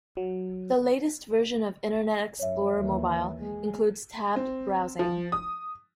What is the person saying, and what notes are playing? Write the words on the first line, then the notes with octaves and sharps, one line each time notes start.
The latest version of Internet Explorer Mobile includes tabbed browsing.
F#3
F#2 C#5 E5
D#2 E3
G#3
C4
F3
D#6